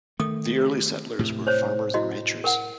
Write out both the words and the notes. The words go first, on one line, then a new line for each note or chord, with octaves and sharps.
The early settlers were farmers and ranchers.
D#3 A3 D#6
A2 C3
C5 C#5
E4 F#4 D#5
A#4 F#5